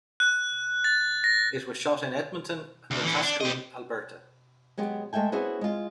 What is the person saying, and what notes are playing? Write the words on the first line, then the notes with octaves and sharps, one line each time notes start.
It was shot in Edmonton and Wetaskiwin, Alberta.
F#6
A6
A#6
D2
E3 C#4
D4
G4 D#5
F#3 G#3 B3 G4
G#3 A3 E5 G5 G#5
B3 C#4 E4 F#4 G#4 C5
G#3 F4